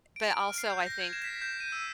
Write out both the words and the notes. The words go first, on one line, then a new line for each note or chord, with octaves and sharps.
but, also, I think
D7
F6
C7
G6
A#6
G#6
E7
B6
G6
D#7
E6